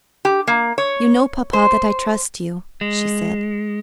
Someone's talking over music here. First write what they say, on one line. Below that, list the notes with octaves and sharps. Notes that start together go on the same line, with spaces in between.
"You know, papa, that I trust you," she said.
G4
A#3
C#5
C5
G#3